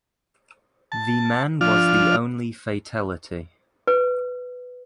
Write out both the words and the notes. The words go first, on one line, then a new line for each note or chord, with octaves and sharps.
The man was the only fatality.
A5
F3 D4 F4 F6
B4